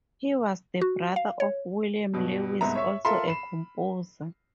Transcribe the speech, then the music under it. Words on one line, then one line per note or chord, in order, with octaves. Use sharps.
He was the brother of William Lawes, also a composer.
F#4
F5
C#5
G2 B2
C2 G#2 B3 E5 A#5
C#5 E5 C#6
F4 A4 A#4 E5 A#5 C6
B5 C7 E7